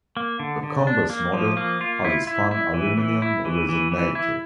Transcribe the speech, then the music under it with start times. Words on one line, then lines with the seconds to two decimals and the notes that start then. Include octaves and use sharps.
The Cumbus model has a spun aluminum resonator.
0.17 A#3
0.40 D3
0.63 D3
0.87 D4
1.10 A#3
1.33 F3
1.57 A#3
1.81 F4
2.05 E4
2.27 E4
2.51 E4
2.74 E3
2.97 E3
3.22 E4
3.45 E3
3.69 E3
3.92 E3
4.15 E4